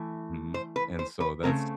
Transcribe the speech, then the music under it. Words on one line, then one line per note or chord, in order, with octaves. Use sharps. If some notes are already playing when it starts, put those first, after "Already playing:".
Mhm, and so that's
Already playing: E3 A3
C5
B4
C5
B4
C#3 F#3 A3 C4 A#4